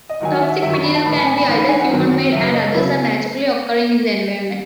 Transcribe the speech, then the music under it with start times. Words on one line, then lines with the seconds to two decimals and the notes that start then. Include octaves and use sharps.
Toxic material can be either human-made and others are naturally occurring in the environment.
0.10 D#5
0.20 G#2 D#3 F#3 G#5
0.31 F#5
0.42 E5
0.52 F#5
0.62 F#2 D#3 F#3 E5
0.73 C#6
0.84 B5
0.95 A5
1.05 A2 B5
1.09 E3
1.16 B5
1.27 G#5
1.37 B5
1.48 G#2 E3 B5
1.58 B5
1.69 G#5
1.80 F#5
1.90 F#2 D#3 F#3
2.32 F#2 C#3 F#3 E5
2.43 B4
2.53 D#5
2.75 C#3 F#3 E4